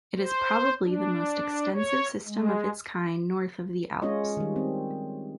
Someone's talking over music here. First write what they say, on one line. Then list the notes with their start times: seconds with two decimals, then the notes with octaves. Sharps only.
It is probably the most extensive system of its kind north of the Alps.
0.19 C5
0.85 D4
1.74 C#5
2.26 G#3
4.02 G#3 C#4 F4 C#5 D#5
4.37 D#3 G3
4.56 C4